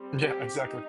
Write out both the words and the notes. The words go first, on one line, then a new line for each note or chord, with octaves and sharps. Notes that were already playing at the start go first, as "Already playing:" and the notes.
Yeah, exactly.
Already playing: G3 C4
G4
D#4